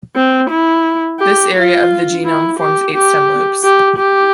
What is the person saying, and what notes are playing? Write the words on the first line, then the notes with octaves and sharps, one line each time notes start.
This area of the genome forms eight stem loops.
C4
E4
G4
F4
E4
G4
G4
G4
G4